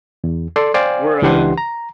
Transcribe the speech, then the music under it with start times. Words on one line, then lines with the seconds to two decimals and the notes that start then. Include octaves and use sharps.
we're, uh,
0.24 E2
0.56 A4 D5 C6
0.74 C5 D5 F5 G5 G#5
1.22 C#2 E3 D4 G4 F#5 C6
1.58 A#5